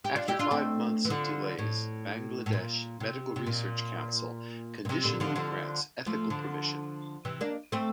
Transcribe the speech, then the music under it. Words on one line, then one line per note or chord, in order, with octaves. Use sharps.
After five months of delays Bangladesh Medical Research Council conditionally grants ethical permission.
G4
D4 F4
E4 G4
D4 F4
A3 C4
E3
D3 F3
A2
A2
A#2
C3
C3
A#2
A#2
C3
A#2 D3
D3 F3
D3 F3
F3 A3
D3 F3
C3 E3
A#3 D4
A3 C4